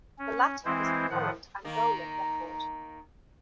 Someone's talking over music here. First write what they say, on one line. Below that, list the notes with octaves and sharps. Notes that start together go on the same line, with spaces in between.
The latter is the current Angolan record.
C#4
E3 G#3 C4 E4 C5
A2 D#3 F3 F#5
D#3 A#3